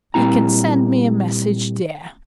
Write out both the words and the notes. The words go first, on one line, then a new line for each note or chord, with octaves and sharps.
He can send me a message there.
A#2 G3 C4 E4 A#5